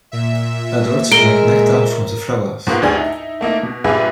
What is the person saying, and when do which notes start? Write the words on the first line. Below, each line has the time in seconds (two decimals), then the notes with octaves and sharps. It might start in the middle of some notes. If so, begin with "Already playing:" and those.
Adults drink nectar from the flowers.
0.12 A#2 E5
1.12 G#3 A#4 D7 G7
2.67 G#2 B2 A#3 B3 F4
2.82 D2 G2 D4 G#4 G#5
2.95 D#4 E4
3.41 A3 A#3 D#4 E4
3.63 B2
3.84 G2 A#2 G#4 B4 E5 F5